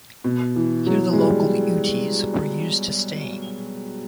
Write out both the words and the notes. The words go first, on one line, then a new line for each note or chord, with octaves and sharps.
Here the local Utes were used to staying.
B2
E3
F#3
G#3
G3